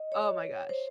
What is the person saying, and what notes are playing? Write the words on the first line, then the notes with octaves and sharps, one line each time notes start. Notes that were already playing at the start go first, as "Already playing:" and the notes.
Oh my gosh.
Already playing: D#5
C#5
C5